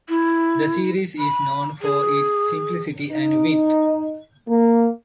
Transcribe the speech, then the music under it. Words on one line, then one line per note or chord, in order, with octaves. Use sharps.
The series is known for its simplicity and wit.
E4
B5
G#4
D#4
A#3